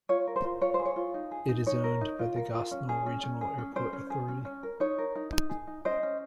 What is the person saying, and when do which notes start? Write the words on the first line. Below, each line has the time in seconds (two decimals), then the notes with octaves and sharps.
It is owned by the Gosnell Regional Airport Authority.
0.09 F4 C#5
0.27 A#4
0.36 C5
0.44 F4
0.61 F4 C#5
0.74 C5
0.79 G#4
0.85 C#5
0.96 F4
1.14 D#4
1.31 G#4
1.49 D#4
1.66 D#4 C#5
1.84 A#4
2.01 D#4
2.19 F4
2.36 A#4
2.54 F4
2.71 C#4
2.89 G#4
3.06 C#4
3.23 C#4
3.41 G#4
3.58 C#4
3.76 C#4 C5
3.93 C#4
4.10 G#4
4.28 C#4
4.45 C#4
4.63 A#4
4.80 D#4 C#5
4.98 A#4
5.15 D#4
5.32 D#4
5.50 G#4
5.67 D#4
5.85 C#4 C5 D#5
6.03 C#4